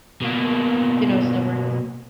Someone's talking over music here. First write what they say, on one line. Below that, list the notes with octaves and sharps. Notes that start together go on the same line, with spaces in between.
Do you know what snowbird is?
B2 A#3